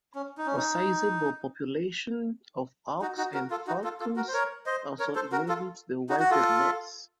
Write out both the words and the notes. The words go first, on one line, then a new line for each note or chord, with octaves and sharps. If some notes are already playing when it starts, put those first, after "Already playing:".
A sizeable population of hawks and falcons also inhabit the wilderness.
C#4
D#4
C#4
D#4
D#4 F#4
D#4 F#4
F#4 A#4
F4 A4
D#4 F#4
F4 A4
F4 A4
F#4 A#4
C5
A#4 C#5
C5 D#5
A#4 C#5
A4 C5
F#4 A#4
F4 A4
D#4 F#4
F#4
F4 A4